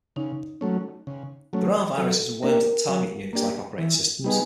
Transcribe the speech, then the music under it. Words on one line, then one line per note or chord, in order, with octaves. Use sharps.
There are viruses and worms that target Unix-like operating systems.
C#3 D#4
F#3 A3 C#4
C#3
F#3 A3 C#4
F#3 A4
A#3 D4 G4 A#4
F#3
A#3 D4 G4
E3
G3 B3 D#4 G#4